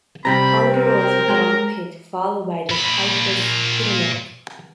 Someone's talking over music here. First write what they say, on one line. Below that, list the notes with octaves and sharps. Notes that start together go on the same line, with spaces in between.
Hunger was rampant, followed by the typhus epidemic.
C3 G3 C4 A#5 B5
A#4
G#3 C5 G5
A#2 B5